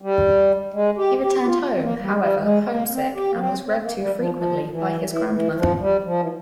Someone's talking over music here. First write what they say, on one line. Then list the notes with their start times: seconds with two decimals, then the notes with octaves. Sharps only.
He returned home, however, homesick, and was read to frequently by his grandmother.
0.02 G3
0.74 G#3
0.97 G4
1.22 G4
1.41 G4
1.46 F4
1.74 C4
1.82 A#3
2.00 G3
2.19 G3
2.42 G#3
2.67 A#3
2.91 C4
3.14 G4
3.30 A#3
3.39 C4
3.63 C4
3.81 A#3
3.99 G3
4.18 F3
4.35 F3
4.71 E3
5.08 E3
5.31 E3
5.56 F3
5.80 G3
6.04 F3
6.20 E3